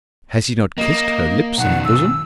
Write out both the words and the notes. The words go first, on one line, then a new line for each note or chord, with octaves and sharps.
Has he not kissed her lips and bosom?
A#3 D#5
B1 D#3 F#5
E6